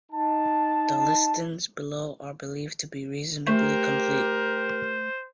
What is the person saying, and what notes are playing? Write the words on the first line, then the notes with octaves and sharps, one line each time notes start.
The listings below are believed to be reasonably complete.
D#4 A5
A3 G4 A#4 C5